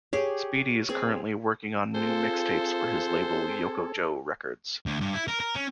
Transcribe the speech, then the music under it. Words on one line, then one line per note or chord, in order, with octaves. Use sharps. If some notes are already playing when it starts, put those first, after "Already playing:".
Speedy is currently working on new mixtapes for his label Yoko-Joe Records.
G4 G#4 C#5
C4 G#4
C4 F4 G#4 A4 C5
D2
G2
E4
A#4
A#4
C#4